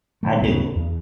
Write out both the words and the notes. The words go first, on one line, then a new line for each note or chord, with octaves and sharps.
I do.
A#2 D#3 A3
D1 G1 C#3 B3
E2